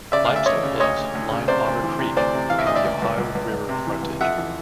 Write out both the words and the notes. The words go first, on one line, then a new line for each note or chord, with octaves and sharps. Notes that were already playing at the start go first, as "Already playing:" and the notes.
Limestone bluffs line Otter Creek and the Ohio River frontage.
C#3 D5 E5
D2 F5
E5
D2 C#5 D#5
C#3
D2 C#5 D#5
D2
D2
C#3
C3 C5 D5
D2
E3
C3
D2 C5 D5
C3
E3 F5
E5
D2 D#5
D5 E5
C#2
C#2
C#2
C#2
C#2
C3
E3
C#2
F2 E5 F#5
E3